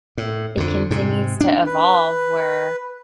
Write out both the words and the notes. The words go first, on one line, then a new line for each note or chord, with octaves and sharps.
it continues to evolve where
A2
F2 D3
G#2 C3
D4
B4